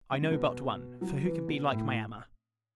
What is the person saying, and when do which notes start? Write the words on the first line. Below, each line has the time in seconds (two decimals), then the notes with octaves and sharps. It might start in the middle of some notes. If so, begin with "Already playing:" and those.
I know but one; for, who can be like my Emma?
0.12 D3
0.22 C#3
0.31 B2
1.01 F#3
1.25 E3
1.48 B2
1.71 A2